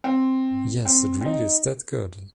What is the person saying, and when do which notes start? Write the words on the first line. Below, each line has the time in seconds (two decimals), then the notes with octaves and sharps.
Yes, it really is that good.
0.04 C4
0.85 C4
1.21 C4
1.26 D#4